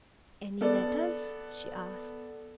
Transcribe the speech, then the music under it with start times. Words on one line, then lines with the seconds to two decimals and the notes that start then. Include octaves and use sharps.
"Any letters?" she asked.
0.61 B3 A4 D5